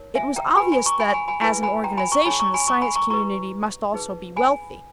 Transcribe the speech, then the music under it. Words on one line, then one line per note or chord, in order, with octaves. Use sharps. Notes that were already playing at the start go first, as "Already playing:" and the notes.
It was obvious that as an organization, the Science Community must also be wealthy.
Already playing: D#4 A#4 C#5
E5 G#5
G5 A#5
G4 B4 G#5 B5
G#5 B5
A#5 C#6
G#5 B5
G#5 B5
G#5 B5
E4 G#4 B4 G#5 B5
G#5 B5
G5 A#5
G#5 B5
A#5 C#6
D#4 G#4 C#5 G#5 B5
A#5 C#6
G#5 B5
A#5 C#6
G#5 B5
A#5 C#6
E4 G4 B4 A#5 C#6
D#4 G#4 B4
G#5 B5